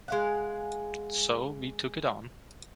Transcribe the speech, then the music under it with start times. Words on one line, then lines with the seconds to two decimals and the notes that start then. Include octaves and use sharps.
So we took it on.
0.08 G#3 F5 F#5